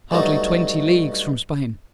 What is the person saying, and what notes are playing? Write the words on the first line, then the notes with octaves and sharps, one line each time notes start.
Hardly twenty leagues from Spain!
G2 F#3 A3 D#4